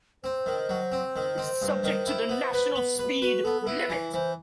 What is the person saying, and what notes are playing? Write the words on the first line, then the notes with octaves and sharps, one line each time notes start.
It is subject to the national speed limit.
C4 C5
D#3
F#3
C4
D#3
C4
G2
D#3
E4
B3
B4
B3
B4
F#4 B4
B3 A4
A4
E4 B4
E3
E3 C5